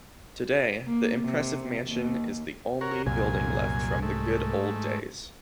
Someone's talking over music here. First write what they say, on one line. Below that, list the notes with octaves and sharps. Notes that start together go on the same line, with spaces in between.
Today the impressive mansion is the only building left from "the good old days".
A#3
C3
D#2
F#4 A#4 C#5
C2 F#2 A#2 G#5
G#2 A3